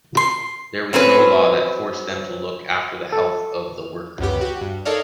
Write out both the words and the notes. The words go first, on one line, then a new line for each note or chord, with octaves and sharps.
There was no law that forced them to look after the health of the worker.
C6
F#3 C4 C#4 B4
A4
C#2 F#2 B3 G4
F#4 G4
G2
D#4 A4 A#4 C#5 D5 F5